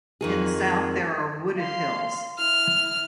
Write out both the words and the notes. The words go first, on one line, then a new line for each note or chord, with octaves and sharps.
In the south there are wooded hills.
F2 D#3 G#4
F5 C6
E4 F6